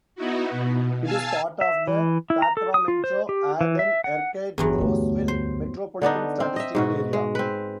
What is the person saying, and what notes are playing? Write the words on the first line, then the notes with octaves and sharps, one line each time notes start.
It is part of the Sacramento-Arden-Arcade-Roseville Metropolitan Statistical Area.
B3 D#4 E4 F#4
B2
F5 G#5 A5 E6
E5
E3
E4
A#5
A4
D#6
F4
C5
G4
E3
E5
F#5
G1 E2 G2 F#3
D2 A3
C5
D3 B3 D4 D#4
C4
D#5 E5
G#2 B2 F#4
G#3
C4 B4